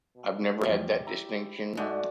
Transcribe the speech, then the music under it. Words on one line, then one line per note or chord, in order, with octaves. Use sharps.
I've never had that distinction.
B2
E2 F3 G3 G4
E4 A#5
G#2 A3 F#4 D5 D#5